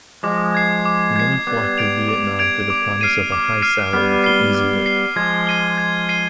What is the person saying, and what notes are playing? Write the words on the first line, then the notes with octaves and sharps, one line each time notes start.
Many flock to Vietnam for the promise of a high salary for easy work.
F3 G#3 D6
G#6 C7
D6
G#6 C7
G3 B3 D6
G#6 D7 F7
D6
G#6 D7 F7
D6
F6 C7 D#7
D6
F6 C7 D#7
G3 B3 F6
C7 G7
F6
C7 G7
F3 G#3 G#6
C7 D#7 G7
G#6
C7 D#7 G7